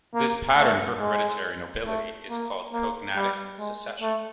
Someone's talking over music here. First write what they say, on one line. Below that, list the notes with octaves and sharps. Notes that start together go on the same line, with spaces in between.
This pattern for hereditary nobility is called 'cognatic succession'.
A#3
A3
G#3
A3
A#3
A#3
G3
G#3
A3